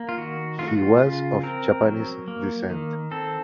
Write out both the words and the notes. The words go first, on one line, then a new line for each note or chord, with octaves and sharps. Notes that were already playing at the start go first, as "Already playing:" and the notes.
He was of Japanese descent.
Already playing: A#3
F4
D#3 F#4
A3 F4
F#4
F4
C#3 F4
C4 A#4
F#3
A#3
D#3
C4 A4